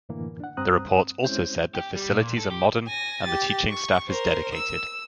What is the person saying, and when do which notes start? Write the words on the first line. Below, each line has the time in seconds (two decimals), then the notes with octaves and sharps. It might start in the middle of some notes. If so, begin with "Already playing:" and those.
The report also said the facilities are modern and the teaching staff is dedicated.
0.09 F#2 A2 D3 E3 A#3
0.40 D4 F#5
0.57 G2 C4 A#5 D#6 F#6
1.25 G#3 C4 C#4 E4 C5 G6
1.75 G4
1.96 G3
2.10 A#2
2.38 A4
2.51 G4
2.87 G#5 A#6
3.23 G4 A6
3.70 C#6
4.08 A#4 C5
4.53 E6